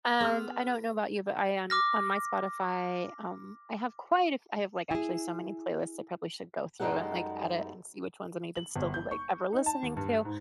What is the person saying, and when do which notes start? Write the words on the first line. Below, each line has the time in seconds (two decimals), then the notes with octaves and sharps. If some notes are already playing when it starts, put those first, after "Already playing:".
And I don't know about you, but I am on my Spotify, um, I have quite a f I have, like, actually so many playlists I probably should go through and, like, edit and see which ones I'm even still, like, ever listening to,
0.21 B3 G#4 A#4 C6 D6 E6 F6
1.70 D6 F6 A#6
4.91 E4 G#4
6.80 F#2 G3 G#3 D#4 A4 F#5
8.56 F#7
8.76 G1
8.94 G6
9.11 C#6
9.53 D#4
9.66 A5
9.83 D#2
9.97 G2
10.25 G#2